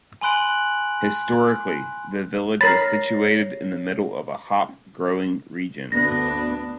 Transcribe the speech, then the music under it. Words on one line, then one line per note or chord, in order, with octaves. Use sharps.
Historically, the village was situated in the middle of a hop-growing region.
G#5 B5 C6 F#6 D7 F#7
A#4 C#5 B5 A6 A#6 C7
D2 B3 D4 A#6